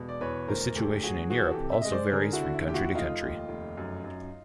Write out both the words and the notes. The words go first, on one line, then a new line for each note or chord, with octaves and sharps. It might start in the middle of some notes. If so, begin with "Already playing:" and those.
The situation in Europe also varies from country to country.
Already playing: E1 B2
D5
E2 B4 C#5
D2 A#4 C5
D2 G4 A4
F#3 F#4 G#4
E3 F#4 G#4
G4 A4
C3
E5
G#3 D#5
C5 D5
D3 G#4 A#4
E4 F#4
D3
E4
D#2 G4
E4 F#4
F1 D#4 F4
D#2
F1
F#2
F#2